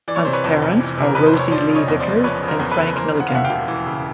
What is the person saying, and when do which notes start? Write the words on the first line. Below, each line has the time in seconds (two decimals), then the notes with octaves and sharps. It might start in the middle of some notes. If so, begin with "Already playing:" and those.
Hunt's parents are Rosie Lee Vickers and Frank Milligan.
0.08 E3 D5
0.16 C#5
0.25 C3 C5
0.33 B4 C#5
0.44 F2
0.62 F1
0.80 E3
0.98 C3
1.03 A#4
1.15 F2 B4
1.27 C5
1.34 F1
1.39 C#5
1.51 F3 C5 D5
1.70 C#3
1.75 C#5 D#5
1.88 E2
2.00 C5 D5
2.07 F#1
2.24 F3 B4 C#5
2.42 C#3
2.48 A#4 C5
2.59 E2 C5
2.72 A4 B4
2.78 F#1
2.96 E3 A#4 C5
3.14 C#3
3.20 F#5
3.28 F5
3.32 D#2 E5 F#5
3.44 F5 G5
3.50 E1
3.68 E3
3.86 C#3